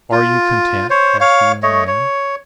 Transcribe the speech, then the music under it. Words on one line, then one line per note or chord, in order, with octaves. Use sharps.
"Are you content?" asked the young man.
F4
C5 C#5
C#5 F5
A3 C#5 D#5
C#5